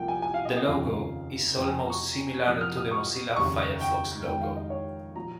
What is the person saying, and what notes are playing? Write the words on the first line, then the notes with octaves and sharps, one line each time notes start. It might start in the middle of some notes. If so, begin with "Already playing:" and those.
The logo is almost similar to the Mozilla Firefox logo.
Already playing: C2 C3 F3 A#3 G5
G#5
G#5
F5
D#5
D#5
F1 D#2 C#3 F3 C4 F5
F1 F2 C3 G5
G#5
A#5
C#6
F2 C3 F3 A#3 D#6
F6
D#6
C#6
F1 D#2 C#3 C#6
G5
F1 F2 D#3 G#3 G5
F5
D#5
C#5
A#2 F3 A#5